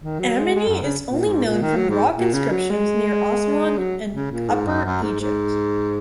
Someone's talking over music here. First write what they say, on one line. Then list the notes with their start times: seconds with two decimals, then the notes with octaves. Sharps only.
Ameny is only known from rock inscriptions near Aswan in Upper Egypt.
0.02 D#3
0.20 F#3
0.37 G#3
0.55 G#3
0.68 F#2
0.82 C#3
1.09 A#2
1.27 G#2
1.45 A#2
1.62 D#3
1.76 F#3
1.90 G#2
2.16 A#2
2.34 C#3
2.52 F#3
2.70 G#3
3.78 F#3
4.13 C#3
4.31 A#2
4.49 G#2
4.67 F#2
4.85 F#2
5.03 G#2
5.21 G#2